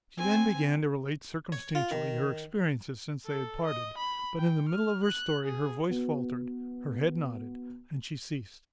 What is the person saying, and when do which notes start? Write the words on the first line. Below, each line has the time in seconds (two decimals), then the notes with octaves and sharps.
She then began to relate circumstantially her experiences since they had parted; but in the middle of her story her voice faltered, her head nodded, and she ceased.
0.17 C4 G#5
1.52 C#5
1.75 F4
1.91 D#3
3.26 A4
3.65 D#5
3.98 B5
4.37 G5
4.69 F6
5.04 F#6
5.44 G#4
5.90 B3 F#4